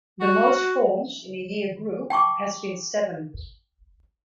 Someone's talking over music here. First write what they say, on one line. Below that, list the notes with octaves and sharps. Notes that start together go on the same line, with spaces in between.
The most forms in a year group has been seven.
F#4
G5 A5 C#6 D6